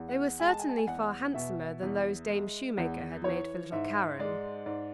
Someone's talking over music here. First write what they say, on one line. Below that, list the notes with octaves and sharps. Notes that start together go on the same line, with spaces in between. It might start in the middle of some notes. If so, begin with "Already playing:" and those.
They were certainly far handsomer than those Dame Shoemaker had made for little Karen.
Already playing: E2
F#5
G#3 G#5
A5
G#5
A5
G#5
E2 F#5
B2 E5
E2
G#3
E2
E3 C#5
G#2 E5
G#3 D5
G#2 D5